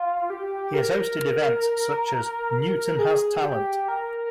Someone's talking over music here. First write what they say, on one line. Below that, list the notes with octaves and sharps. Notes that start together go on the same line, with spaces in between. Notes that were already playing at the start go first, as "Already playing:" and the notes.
He has hosted events such as Newton Has Talent.
Already playing: F4
G4
A#4
G#4
G4
A#4